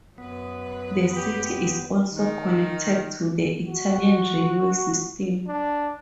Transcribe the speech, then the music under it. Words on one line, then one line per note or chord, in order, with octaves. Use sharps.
The city is also connected to the Italian railway system.
F#2 B3 B4
G4
D#3
F#4
D4